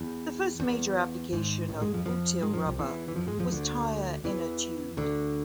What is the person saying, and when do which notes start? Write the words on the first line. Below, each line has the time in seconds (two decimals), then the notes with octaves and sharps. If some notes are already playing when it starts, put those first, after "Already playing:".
The first major application of butyl rubber was tire inner tubes.
Already playing: E2
0.60 E2
1.33 G#1 G#2
1.69 A1 A2
1.82 G#2 G#3
1.94 F2 F3
2.05 F2 F3
2.42 G#2 G#3
2.54 F2 F3
2.66 C2 C3
2.78 E2 E3
3.08 E3
3.15 F2 F3
3.27 G#2 G#3
3.39 F2 F3
3.52 D2 D3
4.24 E2 E3
4.97 D2 D3